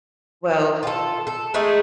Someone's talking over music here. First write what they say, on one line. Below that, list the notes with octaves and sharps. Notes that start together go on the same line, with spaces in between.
Well, y
F4 A4
A4
G#3 A3 D#4 G#4